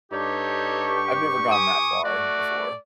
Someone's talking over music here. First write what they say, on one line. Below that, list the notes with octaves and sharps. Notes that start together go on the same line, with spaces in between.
I've never gone that far before.
G2 D#4 G4 A4 C#5
C#6
G#5 D6 D#6
A3 F#4 D5